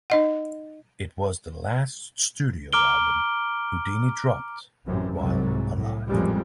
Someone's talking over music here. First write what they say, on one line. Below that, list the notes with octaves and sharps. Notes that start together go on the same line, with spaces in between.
It was the last studio album Houdini dropped while alive.
D#4 D#5 F#5
A#5 D6 F6 D7 G7
A1 F#2 C3
C2 G#2 F#3
A2
A1 F2 A#2 F3 G3 G#3